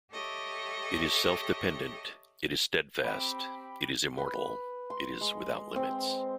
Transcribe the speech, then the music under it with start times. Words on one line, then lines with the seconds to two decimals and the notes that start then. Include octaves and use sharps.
It is self-dependent, it is steadfast, it is immortal, it is without limits.
0.11 G4 A4 C#5 D#5 E5
3.04 C4 G4 B5
4.18 B4
4.90 C6
5.21 G#3
5.76 C4